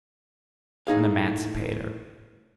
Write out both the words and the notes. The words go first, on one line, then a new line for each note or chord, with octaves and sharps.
An emancipator?
A2 D#4 G#4 F5